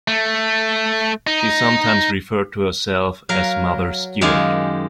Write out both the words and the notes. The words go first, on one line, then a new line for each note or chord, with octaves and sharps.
She sometimes referred to herself as Mother Stewart.
A3
D#4
F#3 A#4 F5
F#2 D#3 G#3 G4 F5 G#5